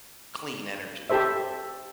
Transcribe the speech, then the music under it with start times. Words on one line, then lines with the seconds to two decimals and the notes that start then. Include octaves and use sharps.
clean energy,
1.10 G4 A4 C5 E5